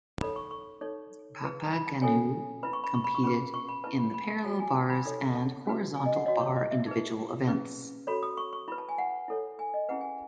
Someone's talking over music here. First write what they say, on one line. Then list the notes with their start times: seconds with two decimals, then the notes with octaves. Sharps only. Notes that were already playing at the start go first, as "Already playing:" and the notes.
Papaigannou competed in the parallel bars and horizontal bar individual events.
0.21 D#4 A4 C#5 B5
0.36 C#6
0.51 C#6
0.81 D#4 A4 C#5
1.42 E4 G#4 B4
1.67 A5
1.72 B5
1.87 A5
2.02 C#4 E4 A4 C#5 G#5
2.63 E4 B4 B5
2.73 C#6
2.84 B5
2.94 C#6
3.04 B5
3.15 C#6
3.24 C#4 G#4 B4 B5
3.54 C#6
3.69 B5
3.84 E4 B4 A5
3.99 B5
4.14 B5
4.44 F#4 C#5 A5
4.59 G#5
4.74 A5
4.90 B5
5.05 D#4 A4 C#5
5.35 A5
5.65 C#4 F#4 B4
5.96 G#5
6.06 D#5
6.16 F#5
6.26 F#4 C#5 D#5
6.41 C#5
6.56 D#5
6.71 E5
6.86 D#4 G#4 B4
7.47 C#4 G#4 B4
8.07 F#4 A4 C#5 B5
8.23 D#6
8.37 C#6
8.53 C#6
8.68 E4 B4 B5
8.78 A5
8.89 G#5
8.98 F#5
9.28 E4 A4 C#5
9.59 G#5
9.74 D#5
9.89 C#4 E4 G#4 B4 F#5
10.01 G#5